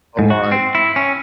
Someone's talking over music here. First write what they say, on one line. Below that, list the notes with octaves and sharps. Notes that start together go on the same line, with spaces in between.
But like
G#2
F#4
C4
E4
C#4